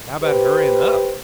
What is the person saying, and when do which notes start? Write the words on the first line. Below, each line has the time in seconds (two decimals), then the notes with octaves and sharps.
"How 'bout hurryin' up?"
0.23 G4 B4 C5